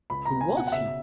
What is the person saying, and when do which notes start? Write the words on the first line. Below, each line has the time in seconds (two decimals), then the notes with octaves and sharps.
Who was he?
0.10 C#2 B5
0.25 A#5
0.31 B3
0.41 G#5
0.52 B2
0.57 F#5
0.67 F#5
0.72 C#3 E5